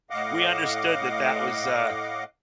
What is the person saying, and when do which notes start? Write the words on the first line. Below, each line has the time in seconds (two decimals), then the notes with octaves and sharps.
we understood that that was, uh,
0.10 A2 D#5 F5 F#5 D6